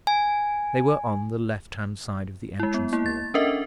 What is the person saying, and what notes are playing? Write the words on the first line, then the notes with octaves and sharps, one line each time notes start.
They were on the left-hand side of the entrance-hall.
G#5
G#3 E4
B3
A#3 E4
A6
C#4 D4 A4 A#4 D#5 E5